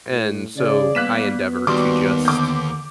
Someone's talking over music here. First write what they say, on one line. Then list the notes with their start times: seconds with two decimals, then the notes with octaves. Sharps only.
and so I endeavor to just
0.10 A2
0.56 C#3 G#4 D5
0.95 G3 A#3 B3 F#6 B6 E7
1.67 D#2 G3 B3 F#4 C6 D6
2.25 D3 D6 G6